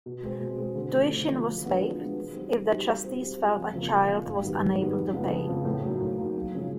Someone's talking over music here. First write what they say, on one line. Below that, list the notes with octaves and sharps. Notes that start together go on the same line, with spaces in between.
Tuition was waived if the trustees felt a child was unable to pay.
B2
G#3 C4
B2
G#3 C4
D3
F3 A3
D3
F3 A3
F3
G#3 B3 D4 F#4
F3
G#3 B3 D4 F#4
E3
G3 C4 D#4
E3
G3 C4 D#4
G3
C4 F4
G3
C4 F4
F2
C#3 F3 A#3
F2
C#3 F3 A#3
G#2
D#3 G3 B3 D#4
G#2
D#3 G3 B3 D#4
F2
C#3 F3 G#3 B3
F2
C#3 F3 G#3 B3
A2
F#3 A#3 D#4
A2
F#3 A#3 D#4
F#2
C#3 F3 G#3 C#4